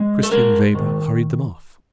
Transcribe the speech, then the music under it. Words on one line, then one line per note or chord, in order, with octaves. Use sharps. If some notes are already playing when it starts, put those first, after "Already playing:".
Christian Weber hurried them off.
Already playing: G#3
A4
G#3 A#4
D#3